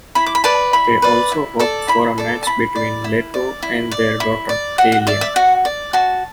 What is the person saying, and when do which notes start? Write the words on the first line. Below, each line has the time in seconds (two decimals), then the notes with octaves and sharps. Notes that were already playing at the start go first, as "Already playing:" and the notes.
They also hope for a match between Leto and their daughter, Kailea.
0.15 E4 B5
0.26 D6
0.35 B5
0.44 B4 D5 A5
0.73 E4 B5
1.02 B4 D5
1.32 E4
1.60 A4 D5
1.88 E4 B5
2.18 A4 D5
2.43 A5
2.47 E4 B5
2.76 D5
3.04 E4
3.34 D5
3.63 E4
3.91 D5
4.20 E4
4.49 D5
4.78 F#4 F#5
4.92 F#5
5.07 D5 E5
5.21 E5
5.36 F#4 F#5
5.65 D5
5.93 F#4 A5